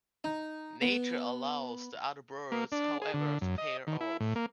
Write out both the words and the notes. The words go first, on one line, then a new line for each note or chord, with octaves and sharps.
Nature allows the other birds, however, to pair off.
D#4
B3
A#3
D4
G#4
D3
F#2
D#5
D#3
E4
A2
A#3